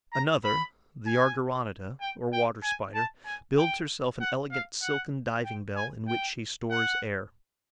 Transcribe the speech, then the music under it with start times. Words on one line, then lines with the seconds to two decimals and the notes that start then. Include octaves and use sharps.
Another, the Argyroneta, or Water Spider, builds herself an elegant silken diving-bell, in which she stores air.
0.13 A#5
0.44 B5
1.07 G#5
2.00 G5
2.33 G5
2.64 G#5
2.95 A5
3.26 G#5
3.58 G5
4.21 F#5
4.51 F5
4.82 F#5
5.44 G5
5.76 G#5
6.08 G5
6.71 F#5